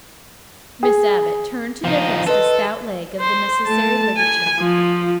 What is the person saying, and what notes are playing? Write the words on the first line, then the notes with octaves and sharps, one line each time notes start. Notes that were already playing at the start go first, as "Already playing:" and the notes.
Miss Abbot turned to divest a stout leg of the necessary ligature.
G#4
F3 D#4
A4 B4 C5 D#5
C5
A3 A5
G#5
F3